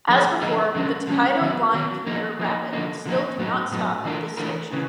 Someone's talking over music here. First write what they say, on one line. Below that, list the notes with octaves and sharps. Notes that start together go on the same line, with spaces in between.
As before, the Tokaido Line commuter rapid still do not stop at this station.
D3 F3 A#3 D#4 G#4
D3 F3 A#3 D#4 G#4
D3 F3 G#3 C#4
D3 F3 G#3 C#4
D#3 F#3 B3
D#3 F#3 B3
F3 A#3 D#4
F3 A#3 D#4
D3 F3 A#3 D#4
D3 F3 A#3 D#4
A2 F#3 B3 D#4
A2 F#3 B3 D#4
E3 A3 D4 F4 A#4
E3 A3 D4 F4 A#4
C#3 E3